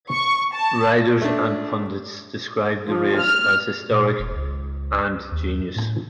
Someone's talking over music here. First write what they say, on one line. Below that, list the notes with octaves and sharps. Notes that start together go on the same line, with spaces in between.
Riders and pundits described the race as "historic" and "genius".
C#6
A5
A3 D4
F3
F6
A#2
E1
C#2
D#2
A2